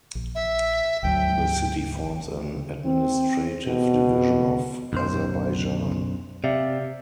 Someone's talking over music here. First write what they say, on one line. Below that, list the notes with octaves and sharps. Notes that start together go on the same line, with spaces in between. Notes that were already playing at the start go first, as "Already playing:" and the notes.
The city forms an administrative division of Azerbaijan.
A#1
E5
G#1 D2 F#3 G5
C4
B2
B1 F#2 C5
C3 D5 E5 F5